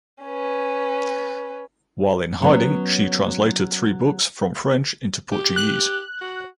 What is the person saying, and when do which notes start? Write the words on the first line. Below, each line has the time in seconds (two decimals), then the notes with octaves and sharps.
While in hiding she translated three books from French into Portuguese.
0.24 C#4 B4
2.42 F#3 B3 C#4
5.32 G4
5.56 F#6
6.21 F#4